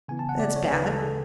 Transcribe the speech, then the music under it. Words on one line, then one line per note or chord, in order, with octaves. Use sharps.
That's bad!
C#3 E3 B3 E4 G#5
A5
F#5
D5
C#5
D2 C#3 E3 G#3 B4
A4
G#4